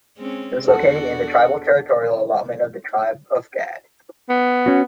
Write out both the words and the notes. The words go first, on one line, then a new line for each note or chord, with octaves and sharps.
It was located in the tribal territorial allotment of the tribe of Gad.
G#3 C4 C#4
E2 D4 F#4 A4 F#5
B3
C#4 F#4